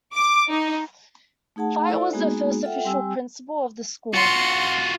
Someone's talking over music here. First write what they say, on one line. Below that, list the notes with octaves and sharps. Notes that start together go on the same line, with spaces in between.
Fite was the first official principal of the school.
D6
D#4
A3 D#4 G#4 F#5 A5
E4 A4 C5 D5 E5
G#3 A#3 B3 D#4 F#4 G#4
F4 A4 E5 F#5 G5
G3 C4 G4 G5 G#5 E6
F4 F#4 C6 C#7